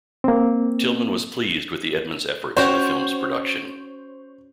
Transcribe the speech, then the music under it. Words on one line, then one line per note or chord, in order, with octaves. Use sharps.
Tillman was pleased with the Edmonds' efforts in the film's production.
A#3 C4
C#4 F#4 C5 C#5 G5